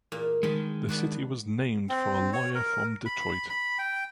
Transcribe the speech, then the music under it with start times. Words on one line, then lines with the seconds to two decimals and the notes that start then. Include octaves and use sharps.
The city was named for a lawyer from Detroit.
0.12 E2 A#2 A#3
0.43 D#3 G#3 A5 B5
0.89 B3 D4 F#4
1.89 C4
2.33 C#5
2.55 A#4
3.06 B5
3.50 B5
3.79 G5